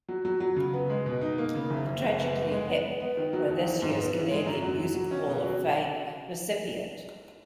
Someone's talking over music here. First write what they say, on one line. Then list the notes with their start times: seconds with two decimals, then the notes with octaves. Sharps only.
The Tragically Hip were this year's Canadian Music Hall of Fame recipient.
0.08 F#3
0.25 F#3
0.40 F#3
0.56 C#3
0.74 B3
0.90 G#3
1.06 B2
1.21 D#4
1.38 A#3
1.55 C#3
1.70 F#1
1.86 F#1
2.04 F#1
2.20 B3
2.36 B3
2.51 G#3
2.68 B3
2.84 B3
3.00 B3
3.17 D#3
3.33 F#3
3.48 D#2
3.65 E3
3.82 G#2
3.97 B3
4.14 E3
4.31 G#3
4.46 F#2
4.62 F#3
4.78 F#3
4.95 F#3
5.11 C#4
5.28 B2
5.44 F#3